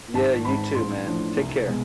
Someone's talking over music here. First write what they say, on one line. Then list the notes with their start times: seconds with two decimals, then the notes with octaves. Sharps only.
Yeah, you too, man. Take care.
0.14 G#1 A5
0.45 G#2 G#3 C4 B5
0.75 A1 C6
1.07 A2 F3 A3 D4
1.37 C2
1.67 B2 G#3